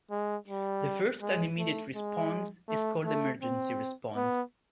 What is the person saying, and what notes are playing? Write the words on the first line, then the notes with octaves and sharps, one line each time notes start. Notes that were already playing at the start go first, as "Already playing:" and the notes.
The first and immediate response is called emergency response.
G#3
G3
G#3
A3
G#3
A3
A3
C4
B3